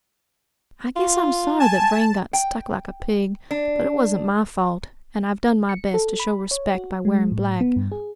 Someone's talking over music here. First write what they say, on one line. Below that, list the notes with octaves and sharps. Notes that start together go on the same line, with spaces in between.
I guess I'm sorry that Vrain got stuck like a pig; but it wasn't my fault, and I've done my best to show respect by wearing black.
F4
G#5 A5
G5
D4
C#7
A4
B5
C#5
F#4
G#3
A2
B3
G2
G#4